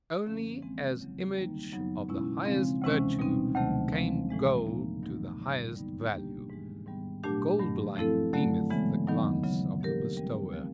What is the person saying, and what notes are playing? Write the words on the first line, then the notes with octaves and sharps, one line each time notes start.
Only as image of the highest virtue came gold to the highest value. Goldlike, beameth the glance of the bestower.
F#2 D3 F3 A#3 C#4
E3 G#3 C4
E2 C#3 F#3
D#3 G3 A#3 D#4
F#2 C#3 F#3 B3 D#4
B2 G#3 C#4 E4
C#3 F3 G#3 C4
D2 C3 E3 G#3 C#4
B2 G3 C4 D#4
D2 C3 D#3 F#3 A3
F3 G#3 C4
A2 E3 G#3 C4
F3 A#3 D#4
G2 D#3 F#3 A#3 D#4
G2 D3 G3
D3 G3 B3 D#4
B2 G3 A#3 D4 G4
G#2 E3 G#3
G#2 D#3 G3 B3
A#2 F#3 A3 D4 G4
G2 D#3 F#3 A3
F3 A3 C4 E4 A4
F#2 D3 F#3 A3
C#3 E3 G#3 B3
D#2 D#3 F#3 B3 D#4
C#3 F#3 B3
F3 A#3 D4 G4 A#4
E3 G3 C4
F3 A3 C4